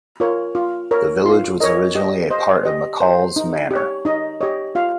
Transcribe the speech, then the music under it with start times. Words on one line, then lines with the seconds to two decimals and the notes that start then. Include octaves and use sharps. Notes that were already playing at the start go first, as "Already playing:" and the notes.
The village was originally a part of McCall's Manor.
0.20 F4 A#4 C#5
0.55 F4
0.91 A#4 C#5
1.25 F4 C6
1.60 A#4 C#5 D#5
1.95 G4 D#5
2.31 C5 D#5
2.65 G4 D#5
3.01 C5
3.36 D#4
3.71 G4 C#5
4.05 D#4 D#5
4.41 G4 C#5 D#5
4.75 F4 F5